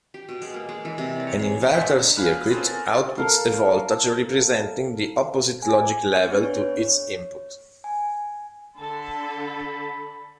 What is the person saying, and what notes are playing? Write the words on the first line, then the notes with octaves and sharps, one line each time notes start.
An inverter circuit outputs a voltage representing the opposite logic-level to its input.
G4
B2
G#3
A#3
G#3
E3
C3
D5
C#5
G#4
G1 A#2 F3 B4 G#5 B6
D4 D#4
F5 G#5 B5 F6 F#6
B2
C4 C#4 F4 G#4 A4 B4
A#4 G#5 A6
A4 A#4 F5
G#4 G#5
B3 C4 D4 G#4 B4
C#5
G#5
D3 A4 B5